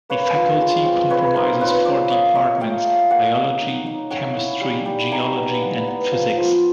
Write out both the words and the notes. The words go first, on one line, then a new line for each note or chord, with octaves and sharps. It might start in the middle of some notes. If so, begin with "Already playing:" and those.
The faculty comprises four departments: Biology, Chemistry, Geology, and Physics.
A#3 B4 C#5
F4
G#3
C4
C4 B4 C#5
D#4 A#4 C5
F4 B4 C#5
C#4 C5 D5
A#3 C#5 D#5
A#3 C#5 D#5
A3 F5 G5
A3
A#3 F#5 G#5
A#3
D#4
D#4
C#4 F#5 G#5
E4
G3
G3
G3 G#5 A#5
B3
B3
B3
F3
F3